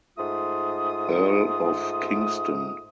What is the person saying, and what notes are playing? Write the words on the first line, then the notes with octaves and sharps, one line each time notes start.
Earl of Kingston.
G#2 A3 F4 D#6